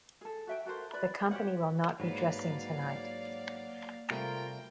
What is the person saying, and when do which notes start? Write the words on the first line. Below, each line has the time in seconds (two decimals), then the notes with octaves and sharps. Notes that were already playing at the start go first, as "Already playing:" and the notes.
The company will not be dressing tonight.
0.21 G#4 A4
0.47 F#4 E5 G5
0.66 F#4 A4 A#4 C5
0.93 B4 D5 B5
1.31 G4 C5 C#5 F#5
2.00 G#2 F#3 A#3 B4 D5 F5
4.11 C3 G3 A3 F4 A#4 G5